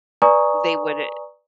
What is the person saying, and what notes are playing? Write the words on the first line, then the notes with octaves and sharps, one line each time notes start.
they would i
B4 D5 G#5 A#5 C#6 D#6